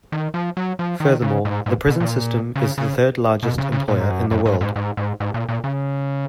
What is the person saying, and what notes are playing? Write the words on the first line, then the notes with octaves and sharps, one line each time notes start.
Furthermore, the prison system is the third largest employer in the world.
D#3
F3
F#3
F3
D#3
C#3
G#2
G#2
B2
A#2
C#3
C#3
B2
C#3
C#3
A#2
G#2
F#2
F#2
G#2
G#2
G#2
G#2
G#2
A#2
A#2
C#3